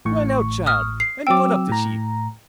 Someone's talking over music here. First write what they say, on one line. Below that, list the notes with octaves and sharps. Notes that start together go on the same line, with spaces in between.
Run out, child, and put up the sheep.'
A1 A2 C#6
D#6 F6
C7
F#3 C4 G5 D6 E6
A2 A#5